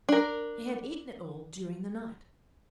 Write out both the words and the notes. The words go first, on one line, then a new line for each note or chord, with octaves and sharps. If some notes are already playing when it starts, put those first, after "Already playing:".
He had eaten it all during the night.
D4 A#4